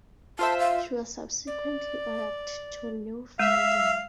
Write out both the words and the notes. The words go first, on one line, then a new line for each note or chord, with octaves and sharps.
She was subsequently ordered to Newfoundland.
F4 C5 E5 A5
F5
D5
G#3 E5 F5 E6